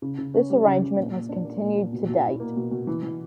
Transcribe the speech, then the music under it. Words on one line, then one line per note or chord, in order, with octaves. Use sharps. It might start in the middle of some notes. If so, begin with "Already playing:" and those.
This arrangement has continued to date.
C#3
C#3
C#4
G3
C#3
C#3
A#2
A#2
D4
A#3
A#2
A#2
B2
B2
E4
A#3
B2
B2
E3
E3